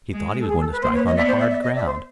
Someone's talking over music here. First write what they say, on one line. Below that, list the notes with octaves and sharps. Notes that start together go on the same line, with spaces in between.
He thought he was going to strike on the hard ground.
G#3
A4
G#4
A4
B4
A#3 C5
B4 C#5
C#5 D#5
B3 D5 E5
C5 D5
D5 E5
D5 E5
C#5 D#5
D5 E5
C5